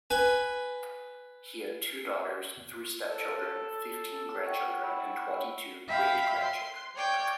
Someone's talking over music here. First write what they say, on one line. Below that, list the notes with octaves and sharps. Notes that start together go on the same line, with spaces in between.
He had two daughters, three step-children, fifteen grandchildren, and twenty-two great-grandchildren.
B4 G#5
A4 C#5
F#5 G5 C#6
E4
E5 F5 G5 B5
C6
C#5 D5 G5